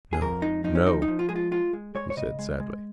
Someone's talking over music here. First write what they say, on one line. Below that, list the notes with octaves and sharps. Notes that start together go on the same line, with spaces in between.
"No, no," he said sadly.
G#4
F2 A#4
G#3 D#4
F3 D#4
C#4
F3 D#4
D#4
F3
F4
G#3 G#4
F4
G#3 F4
G#3
G#3 C#5
C#5
C#3 D#5
G#3
G#3